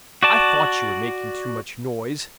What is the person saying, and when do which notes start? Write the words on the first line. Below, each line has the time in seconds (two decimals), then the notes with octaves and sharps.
'I thought you were making too much noise.'
0.23 F#4 D5 A5